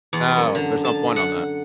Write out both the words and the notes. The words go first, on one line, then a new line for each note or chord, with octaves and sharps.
No, there's no point on that.
E2
F#2
D3
A5
F#5